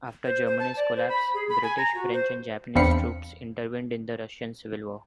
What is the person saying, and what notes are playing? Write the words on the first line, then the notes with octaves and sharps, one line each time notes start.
After Germany's collapse, British, French and Japanese troops intervened in the Russian Civil War.
C5
C5
A5
D5
C5
B5
G#4
B5
G#5
A#5
F#4
C5
E2 C4 D4 F5 B5 C#7